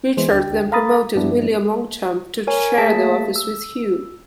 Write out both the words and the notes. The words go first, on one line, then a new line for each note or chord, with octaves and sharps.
Richard then promoted William Longchamp to share the office with Hugh.
E3 G#3 B3 C5
D2 D4 G5
A4 F5 A#5 B5 D#6 A6
G2 F3 G3 B3 D4 E4
A#4 C#5 G#5
A3 A#3 G#4 A5 B6
E6